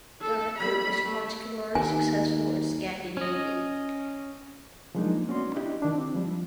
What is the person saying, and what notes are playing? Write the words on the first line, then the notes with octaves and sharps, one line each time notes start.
The record was particularly successful in Scandinavia.
A4
G3 B5
A3
D#2 D#4 G#5
C#4 D#5
F3 F#3 G#3 A#3 D4 D#4
B3 C#4 F#4 D5 C6
D4 E4 G4 D#5
D#3 D4
C4
F3 G3